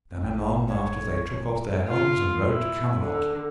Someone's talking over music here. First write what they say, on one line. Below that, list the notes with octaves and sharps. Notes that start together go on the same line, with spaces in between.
And then anon after they took off their helms and rode to Camelot.
A1 G5
C#5
F4
E4
D3